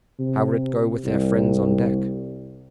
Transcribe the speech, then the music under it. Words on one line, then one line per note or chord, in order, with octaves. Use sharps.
How would it go with their friends on deck?
C3
C2